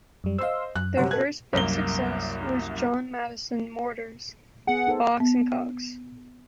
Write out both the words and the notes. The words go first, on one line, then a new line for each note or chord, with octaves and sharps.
Their first big success was John Maddison Morton's "Box and Cox".
F#2 G3
C5 D#5 F5 C6 E6
F#2 F#6
F#2 C3 G3 C5 C#5 F#5
B2 A4 B4 F#6 G#6
C2 F#2 A#3 G7
B3 G#4 F#5
D#4 A4 C5
B3